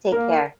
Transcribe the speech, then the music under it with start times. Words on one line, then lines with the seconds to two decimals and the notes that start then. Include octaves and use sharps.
Take care.
0.12 A#3 A#4